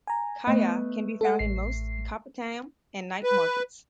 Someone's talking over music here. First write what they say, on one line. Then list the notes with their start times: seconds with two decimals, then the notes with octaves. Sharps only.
Kaya can be found in most kopitiam and night markets.
0.07 G#5 A#5
0.47 A3 B3 B4 D#5
1.21 A4 F#5
1.39 A1 C7
3.23 B4